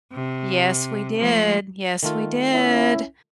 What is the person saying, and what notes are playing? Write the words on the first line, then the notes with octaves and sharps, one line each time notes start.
Yes, we did. Yes, we did.
C3
F3 A3
D#3 A3 F4
C#4 E4